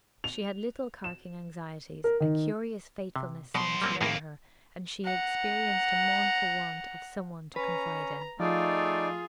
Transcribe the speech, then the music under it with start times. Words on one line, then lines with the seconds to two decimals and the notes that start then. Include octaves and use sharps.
She had little carking anxieties; a curious fatefulness seemed to rule her, and she experienced a mournful want of some one to confide in.
0.24 F7
1.04 E7
2.04 A#4
2.20 D#3
3.16 C3
3.55 B2 F#3 C6
3.82 G3 A#3 C4
4.01 F2 A2 A#3 G#4 A#4
5.05 F#5 A#5
7.56 C#4 B4 A#5
8.40 F3 A3 D#4 F4 G#4 D5